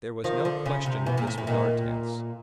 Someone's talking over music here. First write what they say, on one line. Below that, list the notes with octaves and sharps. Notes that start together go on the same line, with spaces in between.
There was no question of this with our tents.
D#3 F3
D3
C#3
C3
B2 E3
A#2
A2
A2
A#2 D#3